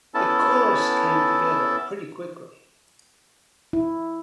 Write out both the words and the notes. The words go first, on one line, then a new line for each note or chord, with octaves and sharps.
A chorus came together pretty quickly.
B3 C#4 E4 A4 A5
E4